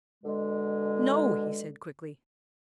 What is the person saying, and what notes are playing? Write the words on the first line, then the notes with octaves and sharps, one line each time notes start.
"No!" he said, quickly.
B2 D3 G#3